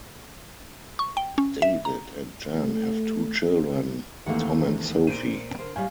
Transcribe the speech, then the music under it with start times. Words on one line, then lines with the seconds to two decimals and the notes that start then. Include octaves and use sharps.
David and Jan have two children, Tom and Sophie.
0.99 C#6
1.17 G5
1.38 C#4
1.62 E5
1.85 A#5
2.58 A3
4.26 D#2 E3 A3 A#3 C4 F#5
4.60 C3
5.07 A#2 C5 D7 D#7
5.59 D3 A#4 C5
5.76 A2 G3 F5 G#5